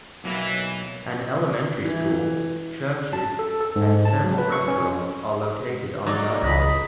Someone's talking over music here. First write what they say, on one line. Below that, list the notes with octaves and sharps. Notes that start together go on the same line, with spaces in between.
An elementary school, churches, and several restaurants are located on the island.
B1 E3 F#3 A#3
E3
A5
A4
A4
G#2
A5
F#3
B4
C#6
C#4
F#3 D#4 D5
C#2 D#5 B5